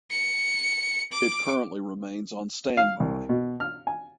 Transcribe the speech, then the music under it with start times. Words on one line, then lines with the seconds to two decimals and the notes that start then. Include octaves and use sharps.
It currently remains on standby.
0.11 C#7
1.12 D6
2.77 F5
3.00 C2
3.29 B2
3.60 F6
3.87 G#5